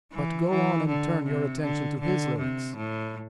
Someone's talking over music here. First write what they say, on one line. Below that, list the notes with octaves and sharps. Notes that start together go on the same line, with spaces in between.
But go on and turn your attention to his lyrics.
E3
E3
D3
C3
D3
D3
C3
A2